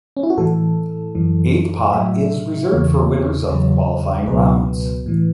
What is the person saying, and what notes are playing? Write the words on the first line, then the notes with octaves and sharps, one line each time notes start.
Eighth pot is reserved for winners of qualifying rounds.
C#4
E4
F#4
A2 E3 A4
F#2 E3
A2 F#3 E5
E2 C#3 E3 C#5
E2 C#3 F#3
C#2 B2 F#3 B4
A2 E3